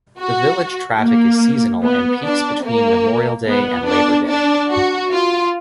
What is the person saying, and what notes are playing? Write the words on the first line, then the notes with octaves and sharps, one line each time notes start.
The village traffic is seasonal and peaks between Memorial Day and Labor Day.
F#4
A#3
B3
D4
A#3
B3
D4
D4
F#4
F4